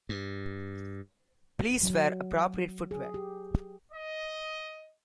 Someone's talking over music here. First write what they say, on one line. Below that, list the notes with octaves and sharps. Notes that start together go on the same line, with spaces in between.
Please wear appropriate footwear.
G2
F#3
G#4
G4
D#5